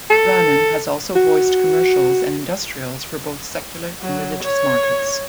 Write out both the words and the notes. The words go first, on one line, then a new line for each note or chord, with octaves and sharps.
Brannan has also voiced commercials and industrials for both secular and religious markets.
A4
F#4
F#3
C#5